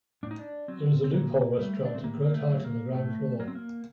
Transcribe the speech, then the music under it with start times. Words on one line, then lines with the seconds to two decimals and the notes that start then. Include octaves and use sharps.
There is a loophole restaurant of great height in the ground floor.
0.23 A2 D4
0.31 D#4
0.39 D4
0.68 F#3 C4
1.04 C4
1.13 A#2 A#3
1.59 G3 A3
1.85 D4
1.94 C4
2.04 A2 A#3
2.25 A#3
2.34 A3
2.49 F#3
2.64 A#3
2.94 A2 A3
3.40 F#3 A#3
3.48 C4
3.55 A#3